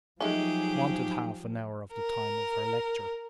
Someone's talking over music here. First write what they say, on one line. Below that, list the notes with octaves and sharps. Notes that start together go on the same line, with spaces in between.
It wanted half an hour of the time of her lecture.
F3 F#3 G#3 A3 C#4 D#4 G4 G#4
A#4